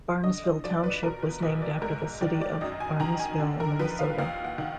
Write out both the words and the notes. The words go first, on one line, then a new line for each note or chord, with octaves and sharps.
Barnesville Township was named after the city of Barnesville, Minnesota.
D3 D#5
D#5
F3 D5
B4
B2 A#4
B4
B1 D#5
D5
G#2 A#4
A#4
D#3 D5
D5
F#2 D#5
G#5
D#3 A#5
G#5
D3
A#4
F3 B4
F5
D#2 F5
F#5
D#3